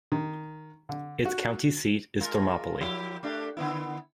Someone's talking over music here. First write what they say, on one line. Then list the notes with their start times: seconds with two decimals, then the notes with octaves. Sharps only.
Its county seat is Thermopolis.
0.12 D#3
0.89 D3
1.25 F#4
2.21 G#3 F4 A#4
2.81 F3 E4 G4
3.23 A3 D4 G4
3.57 D3 B3 E4